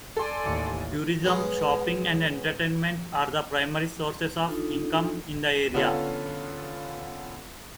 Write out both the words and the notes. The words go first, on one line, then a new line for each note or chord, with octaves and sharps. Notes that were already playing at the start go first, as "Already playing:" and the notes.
Tourism, shopping, and entertainment are the primary sources of income in the area.
A4 D5 G#5 C6
A1 D#2 D6 C#7
G#3 B3 C#4
D4 D#4 F4 A4
D3 B3 C#4 F4 A4